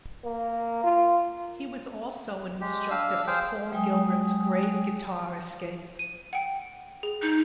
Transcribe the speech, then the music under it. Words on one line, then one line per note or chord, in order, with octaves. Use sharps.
He was also an instructor for Paul Gilbert's Great Guitar Escape.
A#3
F4
G#3 G4
D4 F5 E6
G#4 C5 F5 G5
F#3 G#3 G5 G#5 D#6
D#7
F#5 G5
G#4
D#4